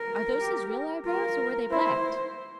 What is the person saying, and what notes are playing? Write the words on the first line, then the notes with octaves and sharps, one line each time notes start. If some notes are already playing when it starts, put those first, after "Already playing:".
"Are those his real eyebrows or were they blacked?"
Already playing: A#4
G4
F4 A#4
E4 C5